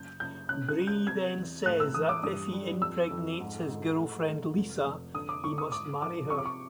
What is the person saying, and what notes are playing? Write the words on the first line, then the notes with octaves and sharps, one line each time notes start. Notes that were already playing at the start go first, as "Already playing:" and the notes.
Bree then says that if he impregnates his girlfriend Lisa, he must marry her.
Already playing: F#1 G6
F#1 G6
C#3 F#6
F#6
G3
G6
C3 G#6
E2
A2 F#6
E6
E3 D#6
D6
G2 D#6
G3
F2 E6
F2
G#2
G#2
A3
A3
F1
F1
D3 D#6
D6
D3 C#6
D#6
G#2 D6
F3 D6
C3 C#6
D6
C#6